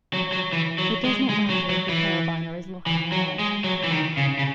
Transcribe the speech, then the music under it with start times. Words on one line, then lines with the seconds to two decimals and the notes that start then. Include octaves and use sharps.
It does not matter if the carabiner is locking or not.
0.13 F#3
0.32 F#3
0.53 E3
0.78 F#3
1.05 G#3
1.30 G#3
1.50 F#3
1.69 F#3
1.89 E3
2.86 E3
3.12 F#3
3.39 G#3
3.64 F#3
3.84 E3
3.91 D#3
4.17 C#3
4.39 C#3